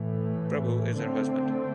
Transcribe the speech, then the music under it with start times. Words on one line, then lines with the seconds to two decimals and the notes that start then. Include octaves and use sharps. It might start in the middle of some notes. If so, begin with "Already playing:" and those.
Prabhu is her husband.
Already playing: A2 E3 A3
0.96 D3 A3 C4